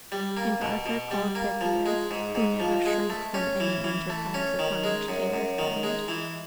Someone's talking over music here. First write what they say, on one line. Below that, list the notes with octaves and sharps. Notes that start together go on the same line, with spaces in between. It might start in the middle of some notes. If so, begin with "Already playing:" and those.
And Arthur called Bedwyr, who never shrank from any enterprise upon which Kay was bound.
G3
A#3
B2
B2
G3
A#3
F3
G#3
G#2
G#2
F3
G#3
A3
C#4
E3
E3
A3
C#4
D#3
G#3
F#2
F#2
D#3
G#3
E3